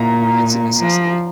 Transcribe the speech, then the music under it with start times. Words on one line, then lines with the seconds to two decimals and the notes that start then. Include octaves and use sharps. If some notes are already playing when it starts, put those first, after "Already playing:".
it's a necessity.
Already playing: A#2 A#5
0.80 F3